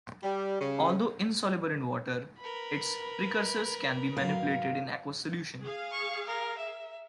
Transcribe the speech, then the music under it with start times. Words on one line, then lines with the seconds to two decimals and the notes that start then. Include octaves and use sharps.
Although insoluble in water, its precursors can be manipulated in aqueous solution.
0.23 G3
0.61 C#3
2.40 A#4 B4 B5
4.17 G#2 D#3 F#3 F5
5.62 G#4 F5
5.91 C#6
6.26 A#4
6.58 E5